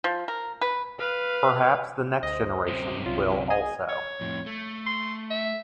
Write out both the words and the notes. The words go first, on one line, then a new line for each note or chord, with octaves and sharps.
Perhaps the next generation will also.
F3
A#4
B4
B4 F5
D2 C5 D#5
F#2 C3
C2 F4 C#5
D#2 B2 D#3 G#4 D#5 G#5
C#5
F2 A2
A3
C6
E5